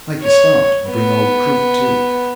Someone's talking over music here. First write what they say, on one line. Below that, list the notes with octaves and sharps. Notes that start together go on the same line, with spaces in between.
Make a start, and bring old Crib too.'
C#5
B3